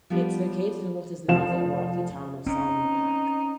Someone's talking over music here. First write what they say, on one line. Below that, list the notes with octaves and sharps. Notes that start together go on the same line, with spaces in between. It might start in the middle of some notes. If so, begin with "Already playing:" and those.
It is located in what is now the Iraqi town of Salman Pak.
F3 G3 B3 D4
F1 F3 F5 E7
C4 C#4 D#4